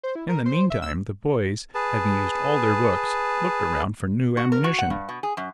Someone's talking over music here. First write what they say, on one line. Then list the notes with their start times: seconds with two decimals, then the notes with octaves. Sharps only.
In the meantime, the boys, having used all their books, looked around for new ammunition.
0.03 C5
0.15 E4
0.29 A#4
0.46 C5
0.70 E5
0.82 E6
1.75 G#4 B4 A5
4.37 F#4
4.52 A#4
4.64 F#4
4.79 F#5
4.90 G2
5.09 B2
5.23 G#4
5.37 F#2